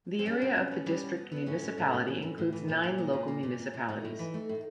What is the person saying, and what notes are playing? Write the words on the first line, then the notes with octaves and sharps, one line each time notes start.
The area of the district municipality includes nine local municipalities.
C4
G3 C#4
B2
B2
B3
G3
B2
B3
B3 D4
A2 C#4
A2
A2
A2
E3
A2
A2
E3
A#2 D4
A#2
A#3
A#2
A#3
A#2
A#2
A#2
A2 D#4
A2
E3
A3
A2